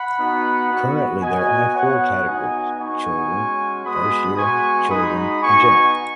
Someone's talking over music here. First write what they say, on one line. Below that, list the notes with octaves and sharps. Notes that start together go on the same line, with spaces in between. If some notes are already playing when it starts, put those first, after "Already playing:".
Currently there are four categories: children, "first year", "children" and general.
Already playing: F#5 B5
B3 D#4 F#4
B3 F#4
B3 F#4 D#5 G#5
B3 F#4 C#5 F#5
B3 D#4 F#4 D#5 G#5
B3 D#4 F#4 G#5 C#6
G#3 C#4 F#4
G#3 B3 F#4 B5 D#6
G#3 B3 F#4 G#5 C#6
G#3 D#4 F#4 B5 D#6
B3 D#4 F#4 G#5 C#6